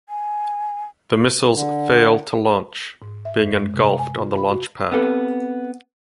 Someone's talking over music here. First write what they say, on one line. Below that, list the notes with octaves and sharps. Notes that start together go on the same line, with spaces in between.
The missiles fail to launch, being engulfed on the launch pad.
G#5
D3
G#2
E5
F#2
G#3
C3
A#5
G#5
F4
B5
F#4
B3 C4 G4 A4 B4